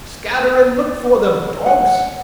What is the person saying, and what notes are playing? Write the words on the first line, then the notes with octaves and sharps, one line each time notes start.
Scatter and look for them, dogs!
F#5